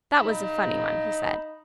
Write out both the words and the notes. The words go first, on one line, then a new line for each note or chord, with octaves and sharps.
"That was a funny one," he said.
D#4 F5 B5